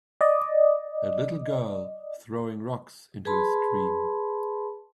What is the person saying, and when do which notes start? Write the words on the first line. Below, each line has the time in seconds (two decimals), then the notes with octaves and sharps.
A little girl throwing rocks into a stream.
0.21 D5 D#5
3.25 G#4 B4 A5 B5 C6